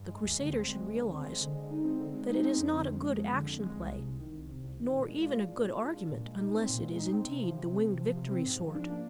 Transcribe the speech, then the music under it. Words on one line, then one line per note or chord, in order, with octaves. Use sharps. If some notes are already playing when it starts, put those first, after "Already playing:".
The crusader should realize that it is not a good Action Play nor even a good argument unless it is indeed the Winged Victory sort.
Already playing: G2
G#3
D2
D3
C4
G#3
D2
D3
C4
G#3
D3
G#3
D#4
C4
D3
G#3
D#4
C4
F2
D3
F2
G#3
F2
D3
F2
G#3
C2
C3
C2
D#3
C2
C3
C2
D#3
A#2
G#3
F4
D4
A#2
G#3
F4
D4
A#2
G#3
D#4
C4
A#2
G#3
D#4
C4
C3
F3
C3
C4
C3
F3
C3
C4
G#2
F3
D4
A#3